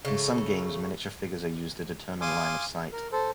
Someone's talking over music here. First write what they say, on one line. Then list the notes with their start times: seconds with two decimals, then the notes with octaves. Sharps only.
In some games, miniature figures are used to determine line of sight.
0.05 C#3 A3
2.21 F5 G#5 C6 D6 D#6
2.93 A#4
3.12 A4 C5